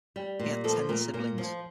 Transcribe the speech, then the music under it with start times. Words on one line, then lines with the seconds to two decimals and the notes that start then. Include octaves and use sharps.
He had ten siblings.
0.16 G3
0.39 A#2
0.64 F3 A4
0.89 A#2 A#4
1.13 A#2 A#4
1.38 F3